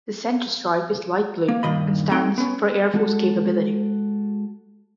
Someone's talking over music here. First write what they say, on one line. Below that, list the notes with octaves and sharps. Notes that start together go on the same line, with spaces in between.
The center stripe is light blue and stands for Air Force capability.
A#3
G2 A#2 D#3 D#5 B5
A3 C4 D#4 A4 F#5 G5
B3 C#4
G#3 F#4 A4